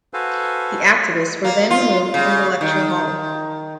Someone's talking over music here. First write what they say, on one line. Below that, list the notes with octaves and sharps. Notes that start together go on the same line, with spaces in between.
The activists were then removed from the lecture hall.
F#4 A4 B4 C5 F5 G#5
A#3
F4
C#3
D#3